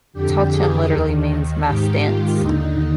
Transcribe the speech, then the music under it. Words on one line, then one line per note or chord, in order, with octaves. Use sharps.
Talchum literally means mask-dance.
F2 D3 G4
G#4
D#2 D#3
G#2 D#3 G4
F4
D#2 D3 D#4